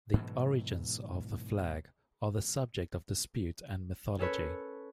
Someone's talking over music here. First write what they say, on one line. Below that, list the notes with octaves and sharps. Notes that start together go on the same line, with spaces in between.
The origins of the flag are the subject of dispute and mythology.
G#2 B2 E3 F#3
C#4 A4 B4 C#5